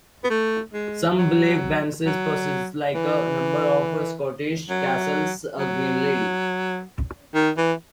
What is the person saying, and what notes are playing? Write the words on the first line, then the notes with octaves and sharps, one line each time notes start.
Some believe Wemyss possesses, like a number of Scottish castles, a "Green Lady".
B3
A3
G#3
F#3
F#3
E3
F#3
F#3
D#3
E3